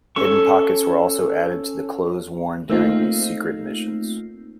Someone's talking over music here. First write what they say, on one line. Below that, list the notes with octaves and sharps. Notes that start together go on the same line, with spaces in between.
Hidden pockets were also added to the clothes worn during these secret missions.
C#4 A4 C#6
A3 A#3 C4 D#4 F4